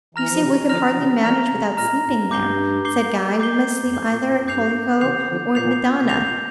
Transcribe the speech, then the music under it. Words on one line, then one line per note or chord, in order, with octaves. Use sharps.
'You see we could hardly manage without sleeping there,' said Guy: 'we must sleep either at Colico, or at Madonna.
E3 A#5 F6 A#6 F7
F3
C3 E3
D3 F3 A#5 F6 A#6 F7
F3
C3 E3
E3 G3 A#5 F6 A#6 F7
C3
A#2 A#5 F6 A#6 F7
A2
A2
G2 D6 G6 C7 G7
D6 G6 C7 G7
D6 G6 C7 G7
F2
G2 D6 G6 C7 G7
A#2
A#2
F2
G2 D6 G6 C7 F7
C3 E3 D6 G6 C7 F7
D3 F3
A#2 D6 G6 C7 F7
C3
A#2 D6 G6 C7 F7
A#2